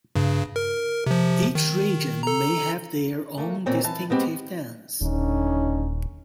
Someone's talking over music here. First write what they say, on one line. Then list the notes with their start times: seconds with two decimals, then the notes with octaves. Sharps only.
Each region may have their own distinctive dance.
0.15 G2 C#3
0.56 A#4
1.06 C3 F3
1.55 D#3
2.23 A4 A#5
3.38 A3 A#3
3.66 A#2 E3 C4 C#4
3.84 E3 A5
4.10 G#3 B3 C4 G4
5.01 D#1 D3 C#4 D#4